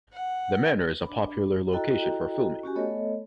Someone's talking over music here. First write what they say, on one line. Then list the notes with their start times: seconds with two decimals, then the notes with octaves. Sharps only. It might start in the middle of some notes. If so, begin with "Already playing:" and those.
The manor is a popular location for filming.
0.13 F#5
1.06 D4 B5
1.72 E4 F#4 A4 D#5 G5 A#5
2.63 C#4 F#4 G4 G#5
2.75 A3 B3 A4 C#5 D#5